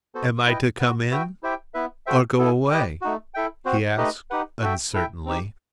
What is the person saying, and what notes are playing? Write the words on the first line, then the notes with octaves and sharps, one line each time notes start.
"Am I to come in or go away?" he asked uncertainly.
B3 F#4 A4 C5
E4 B4 D#5 G5
F#4 B4 F#5
F#4 B4 E5 G5
E4 G4 C5 E5 G5
B3 E4 B4 E5
F#4 A4 C5 E5 G5
B3 E4 A4
G4 B4 D#5 G5
A3 D#4 F#4
E4 A4 E5 G5
C4 F#4 C5
A3 D#4 G4 B4 D#5
D#4 G4 B4 F#5
F#4 A4 E5 G5
E4 A4 E5 G5
C4 D#4 G4